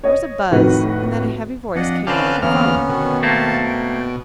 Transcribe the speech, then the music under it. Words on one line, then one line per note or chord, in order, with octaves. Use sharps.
There was a buzz and then a heavy voice came over the 'phone.
C#5 D#5
F2 A2 D#3 F#4 B4
F2 D4 D#5 F#5
D3 C4 C#4 B4 F5 G5 A5 F#6
E2 A#3 B3 C#4 F6
B2 D#3
A3 A#3 C4 F5 A5
G5